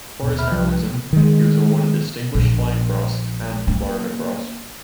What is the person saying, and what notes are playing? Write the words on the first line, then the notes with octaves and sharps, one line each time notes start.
For his heroism, he was awarded the Distinguished Flying Cross and the Florida Cross.
D#1 G#1 B2
E5 B5 F6
C2 F3
D#3 G#3
A#1
A#3 C#4